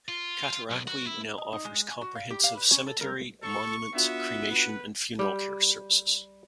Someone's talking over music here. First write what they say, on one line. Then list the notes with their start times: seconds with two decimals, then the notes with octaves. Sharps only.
Cataraqui now offers comprehensive cemetery, monuments, cremation and funeral care services.
0.08 F4
0.70 B1
0.87 F#4
1.07 E4
1.38 D#5
1.53 D#4
1.65 G#3
1.88 G#5
2.01 F#4
2.15 F5
2.30 G4
2.44 F5
2.57 B4
2.72 C#4
2.87 A4
3.01 A#4
3.43 A4 C#6
3.95 B3 D4 F4 F#4 E5 F#5
4.51 B4
5.19 G3